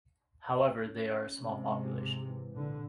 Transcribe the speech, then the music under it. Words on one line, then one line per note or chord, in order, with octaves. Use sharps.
However, they are a small population.
C#4
G#2 C3 G#3
E3
A#2 D3